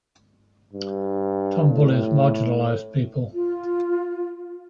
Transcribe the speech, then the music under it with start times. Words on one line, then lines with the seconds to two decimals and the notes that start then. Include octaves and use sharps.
Tom bullies marginalized people.
0.73 G2
1.70 A2
3.33 F4